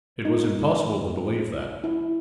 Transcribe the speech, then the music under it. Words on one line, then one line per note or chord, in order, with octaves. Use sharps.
It was impossible to believe that.
D#4
E4